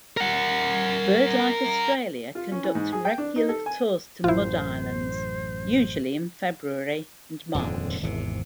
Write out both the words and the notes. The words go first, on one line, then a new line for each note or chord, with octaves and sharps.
BirdLife Australia conduct regular tours to Mud Islands, usually in February and March.
A#4 F#5
F4
C#4
E3
G#2
G#4
G5
D4
D#4
A4
G#5
A1 F#2 E4 F4 C5
D#1 F2 G#2 D3
G#1 E2 C3